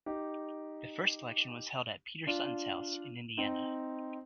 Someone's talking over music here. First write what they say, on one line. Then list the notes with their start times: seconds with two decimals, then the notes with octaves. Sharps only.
The first election was held at Peter Sutton's house in Indiana.
0.06 D#4 G4
2.27 D4 F4
3.38 C4 D#4